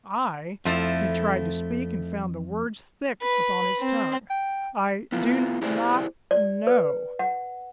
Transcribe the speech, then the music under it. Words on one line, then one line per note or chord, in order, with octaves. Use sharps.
"I--" He tried to speak, and found the words thick upon his tongue. "I--do not--know."
F2 F3 A3 E4
B4
C4
G5
B3 E4 F4
E4 G4 G#4 C5 D5
D5
B4
F#5